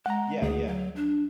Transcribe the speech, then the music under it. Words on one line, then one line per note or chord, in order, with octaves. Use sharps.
Yeah, yeah.
G#3 F#5 A#5
D2 G#4
F#3
D4